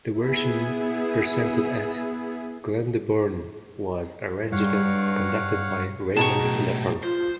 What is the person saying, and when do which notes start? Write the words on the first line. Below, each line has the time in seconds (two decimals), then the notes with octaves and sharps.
The version presented at Glyndebourne was arranged and conducted by Raymond Leppard.
0.20 B3 E4 G#4
4.52 G2 C#5 F5 F#5
6.17 B2 C#4 G4 G#4 A5 A#5 C#6
6.39 F#2 A2
7.03 F4 C5